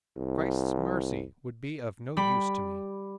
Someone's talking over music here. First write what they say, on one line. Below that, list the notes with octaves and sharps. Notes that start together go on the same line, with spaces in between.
Christ's mercy would be of no use to me.
C2
G3 B5 D7